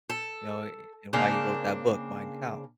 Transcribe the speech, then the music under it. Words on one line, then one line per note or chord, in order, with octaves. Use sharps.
you know, a a and why he wrote that book, Mein Kampf,
A4
C#3 A#3 C4 D4